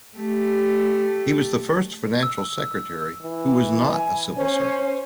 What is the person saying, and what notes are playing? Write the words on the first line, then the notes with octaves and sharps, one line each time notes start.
He was the first Financial Secretary who was not a civil servant.
A3 G4
E6
E3
G#5
C#4 C5